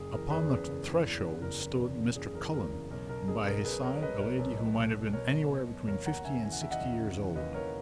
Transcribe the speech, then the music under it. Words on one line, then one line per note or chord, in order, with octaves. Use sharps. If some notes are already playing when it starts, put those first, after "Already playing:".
Upon the threshold stood Mr. Cullen, and by his side a lady who might have been anywhere between fifty and sixty years old.
Already playing: F#1 G#4
E3 A#4
E2 G#4 B4
C#3 G#4
F#1
E3
E2
C#3
F#1 A#4
E3
E2
C#3
F#1 G#4
E3 A#4
E2 A#4
C#3
B1 A#4
B2 A#4
B2 G#4
B1 A#4
B1 G#4 B4
B2 A#4 C#5
B2 B4 D#5
B1 A#4 C#5
B1
B2
B2
B1
B1 A#4 C#5
B2
B2
B1
D#2 A#4 C#5
D#2 F#5 A#5
C#3 E5 G#5
E3 G#5
F#5
D#2 E5
D#5 F#5
D#2
C#3
E3
D#2 B4 D#5
D#2 A#4 C#5